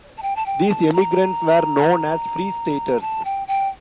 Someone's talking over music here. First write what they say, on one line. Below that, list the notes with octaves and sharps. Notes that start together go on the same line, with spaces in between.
These emigrants were known as Free-Staters.
A5
G5
A5
G5
A5
A#5
A5
G5
G5